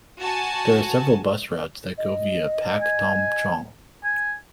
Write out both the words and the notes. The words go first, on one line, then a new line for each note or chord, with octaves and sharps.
There are several bus routes that go via Pak Tam Chung.
F#4 G#5 A5
D#5
G#5
G#5